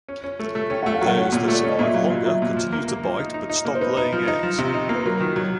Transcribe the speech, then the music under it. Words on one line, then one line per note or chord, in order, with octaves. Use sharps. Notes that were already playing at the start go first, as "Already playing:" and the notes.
Those that survive longer continue to bite but stop laying eggs.
C#4
C#4
A3
A3
C#4 G5
A3 F#5
F5
F#3 F#5
C#4
A#2
A3
D5
C#4 D#5
A#2 E5
F#3 F5
A#2
F#3 E5
A#2
F3
A#3
A#3
F3
D#4
D#4
D#4
A#3
C5
D#4 B4
D#4
F3
D#4
F3
C3
D#4
A#3
B4
F#3 A#4
D#3
F#3